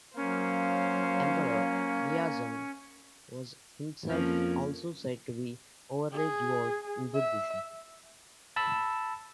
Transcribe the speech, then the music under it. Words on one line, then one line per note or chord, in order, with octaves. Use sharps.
Emperor Daizong was himself also said to be overly devout in Buddhism.
F#3 A#3 C#4 C5 F5
F2 F3 A#3 C#4 A#4
G#4
E5
A5 B5 E6